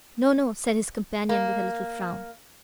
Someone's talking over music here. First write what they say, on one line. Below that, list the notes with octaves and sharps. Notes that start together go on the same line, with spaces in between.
"No, no," said his companion, with a little frown.
A#3